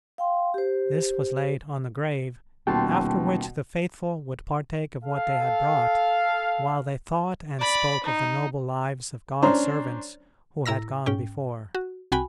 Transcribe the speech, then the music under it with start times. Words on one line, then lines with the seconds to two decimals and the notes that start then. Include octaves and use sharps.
This was laid on the grave, after which the faithful would partake of what they had brought, while they thought and spoke of the noble lives of God's servants who had gone before.
0.18 F5 G5 C6
0.54 G4 C5
2.67 D#1 B2 G5 A5 C6
5.04 A4 F5
7.59 D5 B5
8.04 D#4
9.42 C#4 D4 C5 A#5
10.66 A2 E4 A#5 E6 A#6
11.06 G#2 C#4 G5
11.75 F#4
12.12 C2 F#4 G5 G#5 B5